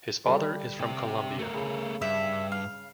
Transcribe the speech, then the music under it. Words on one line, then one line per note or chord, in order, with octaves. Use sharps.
His father is from Colombia.
D3 G3 A4
C3 G4
A3 A#4
C#3 G#4 B5
G2 E5
F5